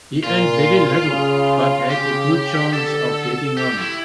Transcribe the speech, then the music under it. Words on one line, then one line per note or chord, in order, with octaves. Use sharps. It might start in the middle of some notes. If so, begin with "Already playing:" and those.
He earned very little, but had a good chance of getting on.
A#2 F4
C#3
C#3 G4
D3 A4
G4
E4